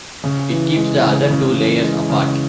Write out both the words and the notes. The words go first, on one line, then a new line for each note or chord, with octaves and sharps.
It keeps the other two layers apart.
C#3
E3
G#3
C#3
C#3
E3
G#3
C#3